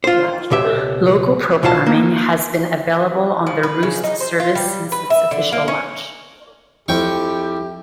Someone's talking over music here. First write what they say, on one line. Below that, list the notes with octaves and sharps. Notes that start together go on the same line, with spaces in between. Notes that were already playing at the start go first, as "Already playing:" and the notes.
Logo programming has been available on the Roost service since its official launch.
F4 C5
C#2 B2 G4 E5
C2 B2 E3 F4 C5 A5
A#3
F3
B4
C#3
D#4
C5
F4
G3
B4
E5
D3
A#3
C#4
F2 E4 G4 G5 C#6